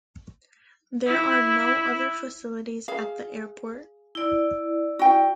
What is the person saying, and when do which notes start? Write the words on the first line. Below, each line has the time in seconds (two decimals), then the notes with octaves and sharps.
There are no other facilities at the airport.
1.07 E4
2.88 G#4 F5
4.15 E4 D5
4.99 F#4 G5